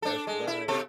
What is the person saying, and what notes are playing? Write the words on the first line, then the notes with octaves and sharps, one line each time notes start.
that's right.
D4 A4
G#3
E4
B2 A4